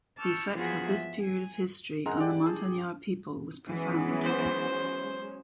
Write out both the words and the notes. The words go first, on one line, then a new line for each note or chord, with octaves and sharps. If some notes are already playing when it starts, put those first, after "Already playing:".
The effects of this period of history on the Montagnard people was profound.
A5 C#6 D6 E6 F6 G6
E2 F3 F4 F#4 G#4 B5
E5
G#5
G#3 A#4 F#5 A#5
G4 D5
G#4 A5
E3 F#3 G#3 B3 C#4
C5